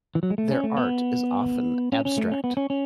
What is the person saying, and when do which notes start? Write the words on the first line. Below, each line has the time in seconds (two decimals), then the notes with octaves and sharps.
Their art is often abstract.
0.15 E3
0.23 F#3
0.30 G#3
0.38 A3
0.51 C#4
0.64 A3
0.77 B3
1.93 C#4
2.05 C#4
2.18 A3
2.32 C#4
2.44 B3
2.57 C#4
2.70 C#4